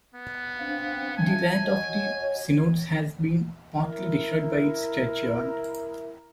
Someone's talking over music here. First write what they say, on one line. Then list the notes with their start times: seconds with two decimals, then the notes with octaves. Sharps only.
The 'Rath of the Synods' has been partly destroyed by its churchyard.
0.15 B3
0.58 C4 D4 C5 F5
1.17 E5 G#5 A5
1.63 F#4 C#5 D#5 F#5
3.78 E4 A#4